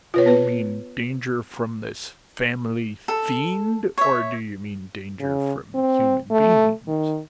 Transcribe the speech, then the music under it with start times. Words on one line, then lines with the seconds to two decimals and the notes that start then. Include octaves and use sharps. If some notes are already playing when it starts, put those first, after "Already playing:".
"Do you mean danger from this family fiend or do you mean danger from human beings?"
0.14 F4 B4 C#5
0.26 B3 B4
3.08 A4
3.98 C#5 E5
5.20 C#3
5.74 C4
6.31 A3
6.87 D#3